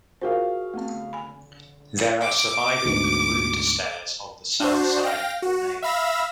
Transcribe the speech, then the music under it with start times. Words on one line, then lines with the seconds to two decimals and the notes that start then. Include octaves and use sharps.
There are surviving rood stairs on the south side of the nave.
0.21 F4 F#4 G#4 A#4 C5 F5
0.74 A3 B3 C4
1.13 G#5 B5
2.21 D6
2.86 D2 G#2 B2
4.60 D4 F#4 C5
5.03 F5 G5 A#6
5.42 F#4
5.82 E5 F5 B5 E6 A#6